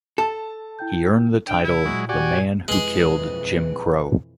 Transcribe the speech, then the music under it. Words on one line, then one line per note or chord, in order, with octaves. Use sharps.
He earned the title "The Man Who Killed Jim Crow".
A4 A5
E4 G5 G6
D4 G5
C3 E4
A#2 F#3 G#3
F#4 G4 D5 G#5
B1 F2 E3 G#3 G#4 B4